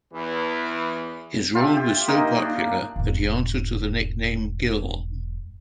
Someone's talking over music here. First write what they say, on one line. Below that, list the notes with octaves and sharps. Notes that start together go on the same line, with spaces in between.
His role was so popular that he answered to the nickname "Gil".
E2 E3
F4 G4 E5
G4
A#3 D#4 D#5
D4
E1 G#2